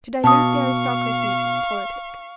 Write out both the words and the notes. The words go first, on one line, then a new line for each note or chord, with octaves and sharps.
To dilute the aristocracy is politic.
B2 F5 A5 C#6 D#6